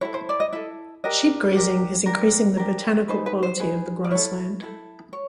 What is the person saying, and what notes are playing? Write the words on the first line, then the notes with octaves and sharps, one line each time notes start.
Sheep grazing is increasing the botanical quality of the grassland.
E4 A4 C#5
C5
D5
D#5
E4 A4 E5
D4 G4 A#4 D#5
D4 G4 A#4
D4 G4 A#4
D4 G4 A#4
D#4 G#4 B4 C5
B4
C5
D#4 G#4 B4
D5
E4 A4 C#5
E4 A4
C#5